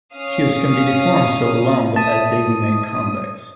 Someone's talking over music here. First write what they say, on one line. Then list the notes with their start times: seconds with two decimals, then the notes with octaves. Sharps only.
Cubes can be deformed so long as they remain convex.
0.14 C#4 F5 D#6
1.96 E5 A5 D#6